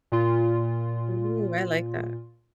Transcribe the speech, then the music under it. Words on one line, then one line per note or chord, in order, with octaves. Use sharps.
Mhm. I like that.
A#2 F4